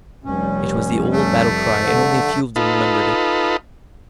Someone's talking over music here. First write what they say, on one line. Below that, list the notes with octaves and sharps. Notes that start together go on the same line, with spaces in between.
It was the old battle cry, and only a few of them remembered it.
F1 G3 C#4
A3
D3
D#4 F4 A4 B4